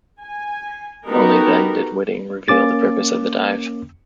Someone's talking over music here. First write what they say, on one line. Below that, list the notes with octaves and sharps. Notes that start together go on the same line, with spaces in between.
Only then did Whiting reveal the purpose of the dive.
G#5
B3 D#4 F#4 G4 A4 A#4
A#3 C#4 D6 A6